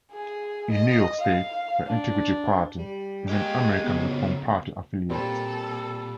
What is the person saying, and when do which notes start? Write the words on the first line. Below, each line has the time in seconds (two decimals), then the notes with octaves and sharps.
In New York State, the Integrity Party is an American Reform Party affiliate.
0.12 G#4
0.72 D#5
1.19 F5
1.87 D4
2.78 G3
3.29 G#3 G4 A#4 G5
3.84 C#3 F#3 B3
5.10 A#2 G3 C4 A4 A#4 C6